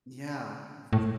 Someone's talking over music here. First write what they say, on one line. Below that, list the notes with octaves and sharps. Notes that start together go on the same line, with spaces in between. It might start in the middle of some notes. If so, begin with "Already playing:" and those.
Yeah, it's
A2